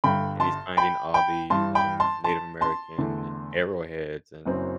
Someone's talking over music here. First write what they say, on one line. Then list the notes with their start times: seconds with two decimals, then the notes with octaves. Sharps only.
and he's finding all these, um, Native American arrowheads and
0.04 G1 G2 D3 G5 B5
0.40 A5 C6
0.77 G5 B5
1.14 G5 B5
1.50 G2 E3 G3 A5 C6
1.75 G5 B5
2.00 A5 C6
2.24 A5 C6
2.61 A5 C6
2.98 E2 D3 A3
4.45 F#1 F#2 F#3 C4